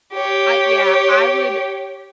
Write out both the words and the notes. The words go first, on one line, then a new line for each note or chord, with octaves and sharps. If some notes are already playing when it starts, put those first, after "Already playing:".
I Yeah, I would
G4 C#5